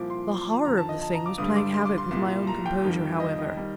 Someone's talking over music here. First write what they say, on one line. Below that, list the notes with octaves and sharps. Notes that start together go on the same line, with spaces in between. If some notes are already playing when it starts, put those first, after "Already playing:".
The horror of the thing was playing havoc with my own composure, however.
Already playing: C2 A#2 F3 D6
C6
F2 D3 F3 A#5
A5
D#5
A5
A#5
D6
G2 D3 G3 D#6
C6
D6
C6
D6
C6
C2 A#2 G3
A#5
G5
F2 D#3 G3
D#5
D#5
D#3 G3